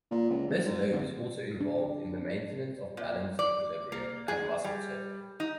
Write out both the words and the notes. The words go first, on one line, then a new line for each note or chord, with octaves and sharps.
This lobe is also involved in the maintenance of balance equilibrium and muscle tone.
A#2
C#2
E1
G#2
D1
D4
A#2
D5
A#3
G#4
G3
D#4